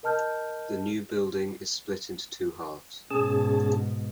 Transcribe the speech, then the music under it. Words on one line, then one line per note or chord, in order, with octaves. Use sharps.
The new building is split into two halves.
A#4 D#5 A5 F6 G6
G#2 B2 C#4 G#4 A5